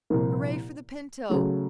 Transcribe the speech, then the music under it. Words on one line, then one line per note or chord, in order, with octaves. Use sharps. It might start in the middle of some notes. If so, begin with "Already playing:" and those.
"Hooray for the Pinto!"
C2 A#2 F3 A#3
C#3 F#3 A3